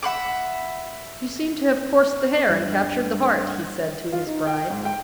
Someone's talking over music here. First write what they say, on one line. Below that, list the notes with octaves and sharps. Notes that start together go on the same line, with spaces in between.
"You seem to have coursed the hare and captured the hart." he said to his bride.
E5 F#5 B5 D6
G2
F4
D#4
G5
G#2
G5